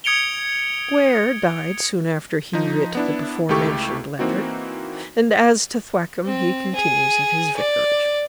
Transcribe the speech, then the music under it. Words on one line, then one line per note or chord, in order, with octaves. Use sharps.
Square died soon after he writ the before-mentioned letter; and as to Thwackum, he continues at his vicarage.
D#6 G#6 C#7 D7 F7 G7
F3 D#4
B3 D4 E4
C#2 A3 E4 G4 A4 C#6
E3 A#3 C4 D#4 F#4
C4
G#4
D5